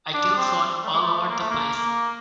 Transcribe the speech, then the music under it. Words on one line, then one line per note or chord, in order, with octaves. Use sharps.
I telephoned all over the place.
D4
C4
A3
G#3
A3
A#3
A3
A#3
A#3